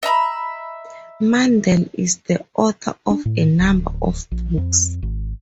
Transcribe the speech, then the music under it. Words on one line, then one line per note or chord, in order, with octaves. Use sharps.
Mandel is the author of a number of books.
D#5 E5 A#5 B5
D4
A2
D1
A#1
F2
G#1